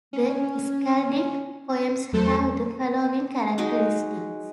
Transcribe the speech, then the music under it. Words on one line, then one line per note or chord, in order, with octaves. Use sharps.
The skaldic poems have the following characteristics.
C#4
E2 F#3 A3 A4 C5 A5
F#3 G#3 D#4 F#4